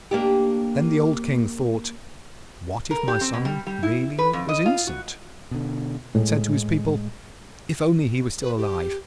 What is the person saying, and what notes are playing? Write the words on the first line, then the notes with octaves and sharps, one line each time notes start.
Then the old King thought, 'What if my son really was innocent?' and said to his people, 'If only he were still alive!
A#3 D4 G4
A#4
G4
C4
B2
G3
G3
E4
B4
F2
D#5
F4
F#4
B2 D3
A2 G#3
B4
G4